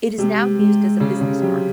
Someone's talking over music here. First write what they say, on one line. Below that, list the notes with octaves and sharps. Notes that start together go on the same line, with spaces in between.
It is now used as a business park.
C3 G#3
G#3
C#3 C#4
C#3
C3 F#3